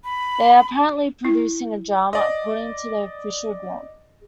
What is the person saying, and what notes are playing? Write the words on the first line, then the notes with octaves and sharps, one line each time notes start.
They are apparently producing a drama, according to their official blog.
B5
E4
D5 D#5